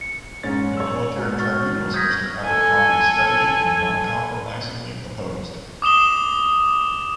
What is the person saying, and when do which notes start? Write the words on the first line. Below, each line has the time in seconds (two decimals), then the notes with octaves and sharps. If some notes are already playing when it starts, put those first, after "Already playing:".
The military tribunals Mr. Abercromby steadily and uncompromisingly opposed.
0.01 C#7
0.43 G#2 C#4 A6
0.77 C#5 E6
1.14 G#2 B2
1.39 C#6 F6 A6
1.94 D#6 G6 G#6 A#6 B6
2.43 A4 G#5
5.82 D6 D#6 E7 G7